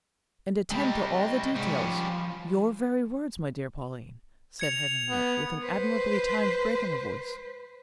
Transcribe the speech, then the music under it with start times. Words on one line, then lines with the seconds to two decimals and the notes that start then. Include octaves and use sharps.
"And attend to all the details--your very words, my dear Pauline," said Henriette, with an admirably timed break in her voice.
0.72 C3 G3 G#3 B5
0.83 D#5
1.56 G#2 G3 C#4
1.75 F3
4.59 G#6 C#7 F7
5.10 B3
5.63 B4 C5